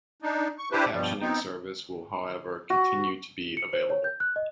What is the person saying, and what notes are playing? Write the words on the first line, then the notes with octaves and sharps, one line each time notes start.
The captioning service will however continue to be available.
D4 D#4
C#6
D4 E4 G4 B4 C5
G2 B2 F3 G3
B3 C4 D#4
F#4
C#7
C5
C#5
G6
F#6
D#5